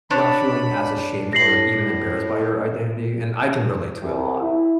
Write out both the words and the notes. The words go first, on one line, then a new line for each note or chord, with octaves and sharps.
not feeling as ashamed or even embarrassed by your identity, and I can relate to it a lot,
D4 C#5 B5
A2 A#6 C7 F#7
C2
E4